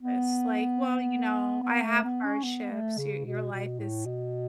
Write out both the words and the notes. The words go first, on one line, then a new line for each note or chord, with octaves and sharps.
uses. Like, "Well, you know, I have hardships. Your your life is,
B3
B3
A3
B3
C#4
B3
A3
C#3
B2
B2
A2
B2